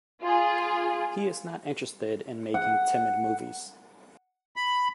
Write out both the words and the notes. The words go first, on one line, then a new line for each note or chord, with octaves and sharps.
He is not interested in making timid movies.
F4 G#4
F#5
B5